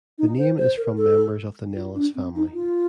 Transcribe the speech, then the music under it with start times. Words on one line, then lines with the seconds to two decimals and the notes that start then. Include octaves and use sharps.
The name is from members of the Nellis family.
0.18 D#4
0.38 C5
0.58 C5
0.77 A#4
0.97 A4
1.75 F4
1.95 D4
2.15 C4
2.35 D#4
2.54 F4